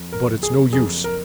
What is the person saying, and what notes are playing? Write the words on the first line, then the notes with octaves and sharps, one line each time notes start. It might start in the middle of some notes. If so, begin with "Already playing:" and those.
But it's no use.
Already playing: F2
A#4
F#1
G#4
F2 G#4
A#4